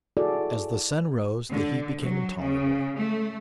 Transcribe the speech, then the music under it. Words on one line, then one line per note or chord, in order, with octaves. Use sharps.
As the sun rose, the heat became intolerable.
E4 F#4 G#4 A4 D5
D3
F#3
C#3
A3